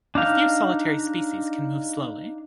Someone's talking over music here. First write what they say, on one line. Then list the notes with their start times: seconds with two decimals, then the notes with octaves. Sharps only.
A few solitary species can move slowly.
0.15 D4 D#4 F5